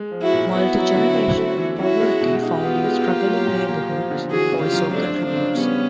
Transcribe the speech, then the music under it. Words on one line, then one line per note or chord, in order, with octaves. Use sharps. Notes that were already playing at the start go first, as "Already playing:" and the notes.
Multi-generational poverty found in struggling neighborhoods also contributes.
Already playing: G#3
F3
E4 F#4
A#2
B3 E4 F#4
F#3
D3
C4
A3
E3
C#4 E4 F#4
G#3
B2
D#4 F4 G4
B3
G#3
A#3
F#3
A#2
A#3
F3
D3
E3 F#4 G#4
C#3
F4 G4
F#2
A3 C4 D4
F3
C4 D4
C#3
G3 B3 C#4